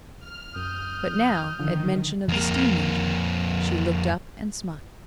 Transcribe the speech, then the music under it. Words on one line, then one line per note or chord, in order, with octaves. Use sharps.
But now, at mention of the steam-engine, she looked up and smiled.
F6
F#2 D#6 G6
F2
D3 D#3 F3
F2 A#3